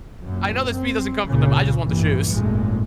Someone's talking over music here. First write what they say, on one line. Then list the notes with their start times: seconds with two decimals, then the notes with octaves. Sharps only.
I know the speed doesn't come from them. I just want the shoes.
0.23 F#2 A#2
0.69 C4
1.25 C#2 A#2 C#3
1.85 A1 G2 A#2 E3
2.31 G#1 F#2 A#2 G#3 A3